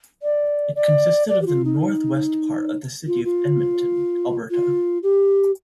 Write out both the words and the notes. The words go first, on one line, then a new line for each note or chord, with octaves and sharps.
It consisted of the northwest part of the city of Edmonton, Alberta.
D5
D5
D5
G4
F4
D#4
F4
F4
F4
G4